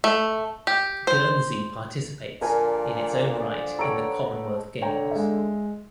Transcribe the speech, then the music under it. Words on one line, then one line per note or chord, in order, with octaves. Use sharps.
Guernsey participates in its own right in the Commonwealth Games.
A3
G4
C5
A#2 D3 F3 A#4 D5 G#5 A5
B3 A4 C#5 G5 A#5 D7
D3 C#5 G5 A#5
G#3 E5